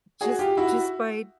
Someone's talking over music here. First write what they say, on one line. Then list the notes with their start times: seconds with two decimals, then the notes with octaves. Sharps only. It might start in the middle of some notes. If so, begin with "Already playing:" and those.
just just by, d
0.21 F#4 G#4
0.39 F4 G4
0.57 E4 F#4